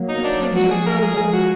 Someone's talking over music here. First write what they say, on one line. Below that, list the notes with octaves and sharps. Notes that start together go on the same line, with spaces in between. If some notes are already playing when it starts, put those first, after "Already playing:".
The pipes are frozen.
Already playing: F#3 A#3
D#4
D4
F3 G#3 F#4
G#4
A#4
G#4
F3 G#3 G#4
F#4